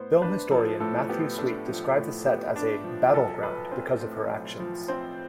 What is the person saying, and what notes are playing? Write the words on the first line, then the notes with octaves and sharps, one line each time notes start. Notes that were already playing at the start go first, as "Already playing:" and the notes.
Film historian Matthew Sweet described the set as a "battleground" because of her actions.
Already playing: A2 B3 C5
D4 B4
F3 A4
A2 A4
B3 G4
D4 A4
F3
A2
B3 G4
D4
F3
B1 A4
F3 B4
C4 C5
A2 C5
B1
F3
C4 C5